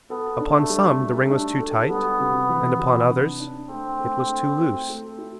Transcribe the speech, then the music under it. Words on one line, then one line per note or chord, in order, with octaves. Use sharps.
Upon some the ring was too tight and upon others it was too loose.
B3 A4
D4
A3
G3
G3
D4
A4
G3 B3
C3
E3
C3
D4
D4
A3 C4
A3
A3
E4
A3
E4